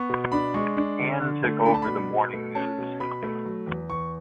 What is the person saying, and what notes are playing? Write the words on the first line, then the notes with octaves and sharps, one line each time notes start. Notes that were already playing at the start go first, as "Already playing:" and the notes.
Ann took over the "Morning News".
Already playing: B3 C#6
B2
D4 B5
G#3 C#6
D4
D3
D3
A3
D4 B5
A5
B5
B2
B2
A3
C#4 A5
B2
B2 B5
A3
F#3
E2
E2 C#6